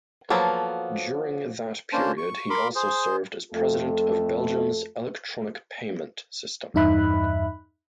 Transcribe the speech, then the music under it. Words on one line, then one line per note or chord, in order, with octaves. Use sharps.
During that period, he also served as President of Belgium's Electronic Payment System.
F3 F#3 A#3 B3 A4
A#3 C#4 D4 C5 A5
C#6
A#4 B5 C6 D6
G#4 C5
F2 A3 F4 A4
E2 G2 D#4 E5 B5 F#6